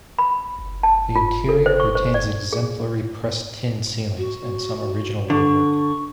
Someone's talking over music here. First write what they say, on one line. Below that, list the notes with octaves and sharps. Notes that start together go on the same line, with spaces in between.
The interior retains exemplary pressed tin ceilings and some original woodwork.
B5
A5
F4
A4
C5
C#6
C5
D5
G#4
F#4
D3 C#6